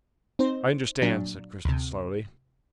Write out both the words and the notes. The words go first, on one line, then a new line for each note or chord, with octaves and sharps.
"I understand," said Crispin slowly.
C4 D#4 C5
A#2 F#3 D4
D2 C3